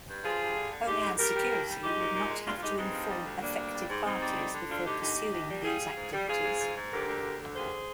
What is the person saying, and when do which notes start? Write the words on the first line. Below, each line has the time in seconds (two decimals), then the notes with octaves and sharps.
Homeland Security would not have to inform affected parties before pursuing these activities.
0.08 G2
0.23 F3 F4 G#4
0.40 G2
0.55 D3
0.72 D3
0.87 G#3 D#4 G4
1.03 D2
1.19 G3 G4 A#4
1.35 G3
1.51 D#2
1.67 G3
1.82 G#3 D#4 G4
1.98 A#2
2.15 A#2
2.30 G#3
2.46 G2 D4 F4
2.57 F4
2.62 G#3 D#4 G4
2.78 G2 C4 D#4
2.94 F3
3.10 G3
3.26 D2
3.41 G3 A#3 D4
3.57 D2
3.74 G3
3.89 G#2
4.05 G#2 C4 D#4
4.21 G3
4.37 D3
4.53 D3
4.69 D2 D4 F4
4.84 D3 D#4 G4
5.01 D#2 D#4 G4
5.16 D#2
5.33 D#2
5.49 G3
5.64 G3 F4 G#4
5.80 G3
5.96 G#2
6.12 G3
6.27 G#2 F4 G#4
6.43 G#2
6.59 G#2
6.76 G#2
6.92 D3 G4 A#4
7.07 D2
7.23 D2
7.40 D3
7.55 D#2 G#4 C5